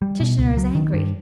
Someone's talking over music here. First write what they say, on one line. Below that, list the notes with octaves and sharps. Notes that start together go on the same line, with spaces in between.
Tishnar is angry.
G3
B2
C#2
F#3
D#3
G2